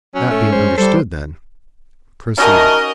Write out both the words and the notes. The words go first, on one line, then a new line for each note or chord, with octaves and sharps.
"That being understood then, proceed."
F#3 C#4
A3
G#3 C5
G3 A4 C5
G3 A3 C#4 D#4 F#4 A#4 D#5 F6